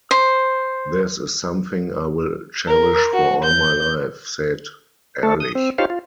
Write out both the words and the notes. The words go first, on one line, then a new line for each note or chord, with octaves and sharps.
"This is something I will cherish for all of my life," said Erlich.
C5
A#4
F#4
G6
A3 A4
D#6
C4
D#4 F4 G4 C5 C#5 F5
F4